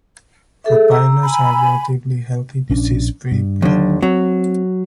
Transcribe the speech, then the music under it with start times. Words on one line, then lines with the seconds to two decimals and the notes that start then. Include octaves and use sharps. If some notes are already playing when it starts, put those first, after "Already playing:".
Rottweilers are a relatively healthy, disease-free breed.
0.64 G#4 A4 E5
0.91 A#5 E6
1.23 G#5 B5
2.70 A#1 C#4 D4
3.31 G2
3.62 D#2 D3 F#3
4.02 F#3 C4